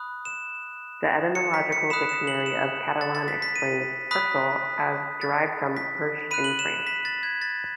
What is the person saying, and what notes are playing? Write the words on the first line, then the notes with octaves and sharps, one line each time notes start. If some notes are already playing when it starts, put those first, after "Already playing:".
The etymological dictionary of Catalan explains "perxal" as "derived from Perche in France".
Already playing: B5 D#6 F#6
E7
C#7
B6
C#7
B5 D#6 F#6 E7
E7
F#7
E7
A6
A6
B6
B6
D#7
B5 D#6 F#6 B6
A6
B6
B5 F#6 D#7
F#7
E7
B6
A6
G#6
A6